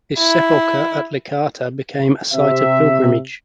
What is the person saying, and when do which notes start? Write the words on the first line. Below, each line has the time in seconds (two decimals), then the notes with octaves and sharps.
His sepulcher at Licata became a site of pilgrimage.
0.19 E4
2.32 C3 E5